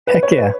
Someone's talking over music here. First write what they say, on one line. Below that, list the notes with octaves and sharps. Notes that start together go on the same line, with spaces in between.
Heck yeah!
B4
C#5
B4